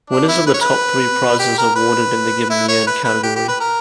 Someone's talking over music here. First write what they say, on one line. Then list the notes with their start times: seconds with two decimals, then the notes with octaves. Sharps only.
Winners of the top three prizes awarded in the given year and category.
0.10 D4
0.28 E4
0.47 B4
0.54 C#5
0.61 B4
1.39 G4
1.58 A#4
1.75 B4
2.50 E4
2.68 C#5
2.87 B4
3.05 B4
3.23 G4
3.36 G4
3.48 B4
3.60 A#4